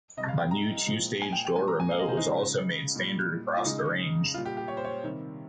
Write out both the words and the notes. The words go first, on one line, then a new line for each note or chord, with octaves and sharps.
A new two-stage door remote was also made standard across the range.
C3 G3 D#5
F5
G5
A#5
A#2 F3 G#3
G#5
G5
G5
A#2 F3 G#3 G#5
A#5
G#5
F5
D#5
C5
D#4
C#3 F3 G#3
A#2 G3
F4
C#3 G#3 D#4
A#2 G3 F4
G4
G4
C#5
C5
C#5
C3 D#3 G3